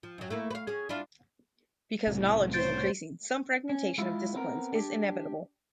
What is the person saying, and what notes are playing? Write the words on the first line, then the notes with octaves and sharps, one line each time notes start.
Because knowledge is increasing, some fragmentation of disciplines is inevitable.
F3
F#2 F#3
A3 A#3 E4
B4 F5
C#4 G#4
D4 E4 F4
C2 A2 C#3
C5 C#5 G6 A6 D7
C#4
G#3 E4 F4
B3 C4 E4 A#4
D4 G4